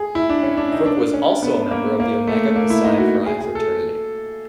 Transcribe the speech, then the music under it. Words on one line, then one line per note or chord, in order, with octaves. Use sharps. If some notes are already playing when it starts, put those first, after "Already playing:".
Crook was also a member of Omega Psi Phi fraternity.
Already playing: G#4
E4
D4
C#4
D4
D#4
D4
C#4
B3
A#3
A#3
A3
A#3
E4
D#4
F#4
G#4
G#4
A4